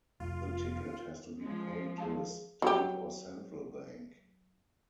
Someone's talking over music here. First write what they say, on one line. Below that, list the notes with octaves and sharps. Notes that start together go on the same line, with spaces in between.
The ticket has to be paid to a state or central bank.
F2 C3 A3 F4
F3 G#3
G#4 F5 A5
F#3 G4